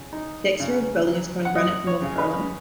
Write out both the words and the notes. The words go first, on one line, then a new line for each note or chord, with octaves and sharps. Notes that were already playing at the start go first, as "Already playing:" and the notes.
The exterior of the building is covered in granite from North Carolina.
Already playing: C#3
D#4
C#3
F#3
F#5
F#2 D#5
C#5
C#3
B4